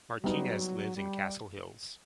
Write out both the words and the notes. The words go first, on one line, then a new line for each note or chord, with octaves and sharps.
Martinez lives in Castle Hills.
F#3 G3 B3 D#4
G3